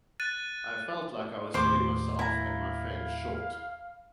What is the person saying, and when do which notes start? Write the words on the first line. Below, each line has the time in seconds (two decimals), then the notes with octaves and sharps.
I felt like I was selling myself and my fans short.
0.20 F#6 A6 D#7
1.54 D#2 A2 C5 D6
2.19 E4 F5 A#5